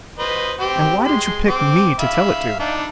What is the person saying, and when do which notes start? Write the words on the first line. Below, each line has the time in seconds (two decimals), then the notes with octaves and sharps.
"And why did you pick me to tell it to?"
0.19 B4 C5 D#5
0.60 C4 G4
1.05 G#3 C6
1.49 C4 D6
1.99 E5 F5 B5
2.60 D4 D#4